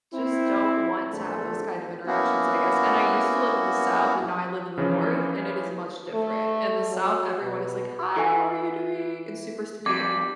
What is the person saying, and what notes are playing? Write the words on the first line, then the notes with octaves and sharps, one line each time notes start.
just don't want to have those kind of interactions, I guess, and I used to live in the South, and now I live in the North, and it is much different. In the South, everyone is like, "Hi, how are you doing?" and super sweet,
C4 E4
A#1 E2 D3 A3 C5
A#3 B3 C#4 E4 F#4
C#3 E3 F3 C#4
A3
F#3
B2
E3 A4 E5 G#5
F2 G3 D6